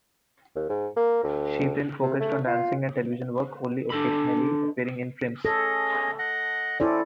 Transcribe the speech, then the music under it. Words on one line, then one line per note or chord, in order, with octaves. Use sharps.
She then focused on dancing and television work, only occasionally appearing in films.
D#2
G#2
A#3
D2
C3
A3
F4
D4 A4 B5
C#4 G#4 A4 D#5
D#5 F#5
C4 C#4 E4 A4 D5